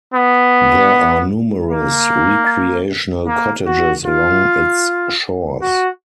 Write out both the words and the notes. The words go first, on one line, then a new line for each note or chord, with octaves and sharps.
There are numerous recreational cottages along its shores.
B3
A#3
A#3
F#4
F4
F#4